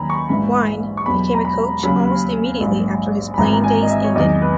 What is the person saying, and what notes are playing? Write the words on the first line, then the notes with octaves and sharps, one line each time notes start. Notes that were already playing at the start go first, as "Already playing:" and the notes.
Wine became a coach almost immediately after his playing days ended.
Already playing: D#2 D#3 F#3 G#5 A#5 B5
C#6
A#1 G#2 E3 B5
C#6
E2 B2 F#3 B5
A#5
B5
D#2 C#3 F#3 B5
A#1 G#2 F#3
B5
G#1 G#2 E3 A#5
A#5
G#5
D#5
E5
C#5
E2 D#3 F#3 D#5
B4